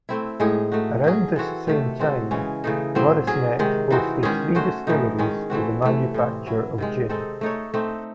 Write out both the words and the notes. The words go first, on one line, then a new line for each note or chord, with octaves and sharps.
Around this same time, Moresnet boasted three distilleries for the manufacture of gin.
A3 C4 E4
A2 G#3 D#4 G#4
A3 D#4 F#4
F#3 C#4 G#4
E3 C4 F#4 A4
C3 D#3 A3
G#3 C4 F#4 A4
C#3 E3 G#3 C#4
C#3 E3 A3 D#4
A2 F#3 C4
F#3 C#4 G#4
C3 D#3 G#3
E3 C4 D#4 F#4
D#3 G#3 C#4 G#4
A3 C#4 F#4 C5
A2 E3 A3 D#4
D#3 G#3 C#4
E3 A3 C4 F#4
C3 E3 A3
A2 E3 C4
F#3 C#4 E4
C3 D#3 G#3
G#3 C4 D#4 A4
A3 D#4 A4 C#5
A3 C4 D#4